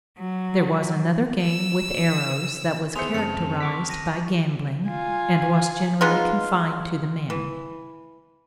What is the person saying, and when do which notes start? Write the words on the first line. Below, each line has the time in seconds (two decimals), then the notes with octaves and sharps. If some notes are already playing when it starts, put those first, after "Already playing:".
There was another game with arrows that was characterized by gambling, and was generally confined to the men.
0.19 F#3
1.42 E6
2.96 B3 G#4 C5 E5 C6 C#7 F7
3.14 F#2 C#3 C4 A5 C#7
3.60 C#6 D6 B6
3.90 A#6 D#7
4.89 F4 G#5
6.01 G#3 B3 D#4 F4
7.30 E3